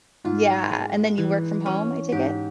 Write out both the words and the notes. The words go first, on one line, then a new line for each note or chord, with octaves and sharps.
Yeah, and then you work from home, I take it?
G#2 F4
G#3
E3
C#4
G#2 G4